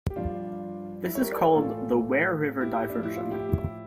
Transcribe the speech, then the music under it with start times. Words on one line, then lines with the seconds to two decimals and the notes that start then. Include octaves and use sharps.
This is called the Ware River Diversion.
0.10 G4
0.16 G2 F3 D4 F4
1.04 E4
1.15 C#5
1.21 G4 A#4
1.32 A#4 D5
1.44 A4 C#5
1.55 A2 E3 F4 A4
2.61 E4 G4
2.90 D4
2.95 A2 F3
3.03 E4
3.16 F4
3.31 E4 G4
3.49 E4